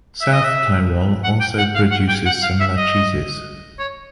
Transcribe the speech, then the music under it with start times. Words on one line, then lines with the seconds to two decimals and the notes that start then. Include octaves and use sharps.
South Tyrol also produces similar cheeses.
0.21 E5
0.32 D#5
0.44 E5
1.24 F#5
1.40 G5
1.58 F#5
1.75 F5
1.91 F#5
2.08 G5
2.25 F#5
2.42 F5
2.60 E5
2.77 D#5
3.79 C#5